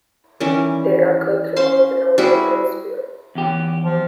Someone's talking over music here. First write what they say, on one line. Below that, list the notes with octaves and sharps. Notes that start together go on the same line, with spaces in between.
They occur throughout the Northern Hemisphere.
D#3 E3 G3 C#4
C#4 C5 F5 C6
G3 E4 F#4 G#4
E2 G4
F3